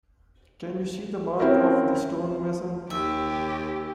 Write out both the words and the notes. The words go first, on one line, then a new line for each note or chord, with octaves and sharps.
Can you see the mark of the stonemason?
C4 C#4 E4 F#4 A#4 E5
D#2 G4 E5